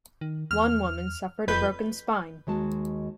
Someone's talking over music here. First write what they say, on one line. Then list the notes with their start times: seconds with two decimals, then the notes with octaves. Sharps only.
One woman suffered a broken spine.
0.21 D#3
0.51 E2 F6
1.48 E1 F2 B4 G6
2.47 D#2 G#3 F#4 A5